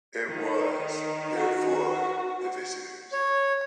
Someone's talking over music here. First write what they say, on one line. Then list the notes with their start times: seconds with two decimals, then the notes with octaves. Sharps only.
It was, therefore, the visitor's.
0.28 D#3
1.36 F#4
3.12 C#5